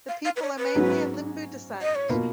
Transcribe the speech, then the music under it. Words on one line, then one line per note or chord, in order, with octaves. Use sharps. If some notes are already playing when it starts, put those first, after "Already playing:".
The people are mainly of Limbu descent.
F5
F5
B4
C#5
B4
G#2 F#3 C#4 F#4
D#5
C#5
B2 A#3 F4 B4